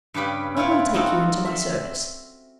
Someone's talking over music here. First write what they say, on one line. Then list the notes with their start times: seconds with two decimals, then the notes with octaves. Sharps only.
I will take you into my service.'
0.14 G2 C#3 G4 B4 D5
0.57 E4 F4 B4 C#5 G5
0.94 C4 D#4 F4 F#4 A4
1.45 E5